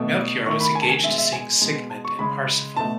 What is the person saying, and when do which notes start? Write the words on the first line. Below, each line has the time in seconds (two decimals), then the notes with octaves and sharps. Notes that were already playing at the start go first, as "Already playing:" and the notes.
Melchior was engaged to sing Siegmund and Parsifal.
Already playing: B2 A3
0.46 D#3 A3 C#6
0.60 B5
0.75 G#5
0.82 A5
0.89 G#5
1.03 B2 G#3 E5
1.18 E5
1.33 G#5
1.61 B2 G#3
1.90 A5
2.05 C#6
2.19 C#3 G#3 B5
2.76 B2 A3 A5